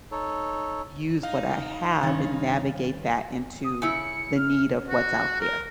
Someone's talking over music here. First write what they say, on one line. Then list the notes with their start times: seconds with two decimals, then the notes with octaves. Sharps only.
use what I have and navigate that into the need of what's out there.
0.11 D#4 A4 C#5
1.23 D#4 F5
2.03 G2 D#3 C#4 A6
3.64 D#6
3.82 C#3 E4 C#7
4.36 F6
4.89 F#4
5.40 A#4